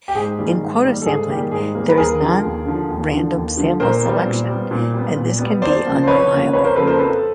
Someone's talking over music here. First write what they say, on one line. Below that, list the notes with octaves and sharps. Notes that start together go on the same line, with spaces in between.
In quota sampling, there is non-random sample selection and this can be unreliable.
G4
G#2 G#4
D#3 G3 A#3
G#2
D#3 G3 A#3
A4
G#2 G#4
D#3 G3 A#3 G4
G#2 G#4
D#3 G3 A#3
B4
D#2 G#4 A#4
D3 F3
D#2
D3 F3
D#2
D3 F3
D#2
D3 F3
A#2 A#4 C5
G3 B3
A#2
G3 B3
A#2
G3 B3
A#2
G3 B3
F2 C5 D5
C#3 F3 A#3
C5
F2 B4 C#5
C#3 F3 A#3
F2 B4 C#5
A#4 C5
C#3 F3 A#3 A4 B4
A#4 C5
F2 A4 B4